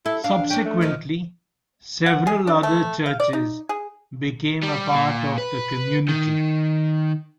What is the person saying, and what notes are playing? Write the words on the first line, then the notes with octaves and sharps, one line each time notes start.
Subsequently, several other churches became a part of the community.
E4 A4
D4 F5
C#4 D4 G5
A3
F2 D#3 F3
F#5
G#4
D4
A3
F5
D5
D#4
G#4
G3
A#2
B4
D#3